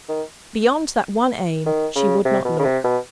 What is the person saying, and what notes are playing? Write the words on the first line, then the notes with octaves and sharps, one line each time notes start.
Beyond that one aim she would not look.
D#3
D#3
C#3
C3
B2
C#3
C3
B2